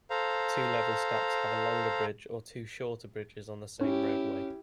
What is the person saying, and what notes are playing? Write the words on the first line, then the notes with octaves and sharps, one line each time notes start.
Two-level stacks have a longer bridge or two shorter bridges on the same roadway.
A4 C5 F5 A#5
C#4 E4 G4